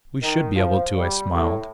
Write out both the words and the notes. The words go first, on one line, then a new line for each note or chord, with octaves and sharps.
"We should be able to," I smiled.
D#3
F3
G3
A2